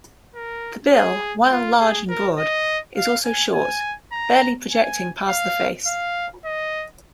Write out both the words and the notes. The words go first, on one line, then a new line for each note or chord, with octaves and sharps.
The bill, while large and broad, is also short, barely projecting past the face.
A#4
G#4
F4
G#4
A#4
D#5
F5
G#5
G#5
A#5
G#5
F5
F5
D#5